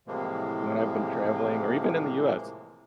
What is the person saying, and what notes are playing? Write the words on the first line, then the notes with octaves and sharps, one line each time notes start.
when I've been traveling or even in the U.S.,
A2 C3 E3 F3 G#3 A#3